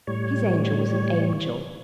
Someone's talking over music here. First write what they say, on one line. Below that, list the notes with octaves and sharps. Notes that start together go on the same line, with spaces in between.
His angel was an angel.
A2 G3 C#5